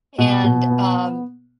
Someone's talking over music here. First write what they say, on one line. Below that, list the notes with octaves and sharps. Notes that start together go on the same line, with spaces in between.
And, um
B2
B2
B3